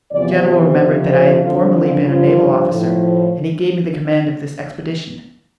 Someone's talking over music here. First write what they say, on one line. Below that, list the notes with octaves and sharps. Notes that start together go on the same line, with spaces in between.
The general remembered that I had formerly been a naval officer and he gave me the command of this expedition.
E2 C3 F3 D5
F2 C3 F3 C5
C5
F2 D3 F3 F4
F4
G2 F3 F4
A2 F3